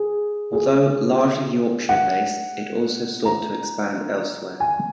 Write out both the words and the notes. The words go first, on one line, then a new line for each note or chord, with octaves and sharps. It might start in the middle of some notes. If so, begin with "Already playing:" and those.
Although largely Yorkshire-based it also sought to expand elsewhere.
Already playing: G#4
G#4
F#5
A#5
G#5